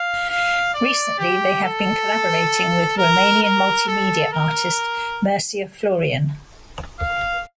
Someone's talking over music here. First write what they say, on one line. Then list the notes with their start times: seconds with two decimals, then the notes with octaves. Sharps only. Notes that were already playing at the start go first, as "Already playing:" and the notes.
Recently, they have been collaborating with Romanian multimedia artist Mircea Florian.
Already playing: F5
0.29 F5
0.74 D5
1.19 G4
1.64 A4
2.98 A#4
3.43 A#4
3.88 A4
4.33 A#4
7.00 F5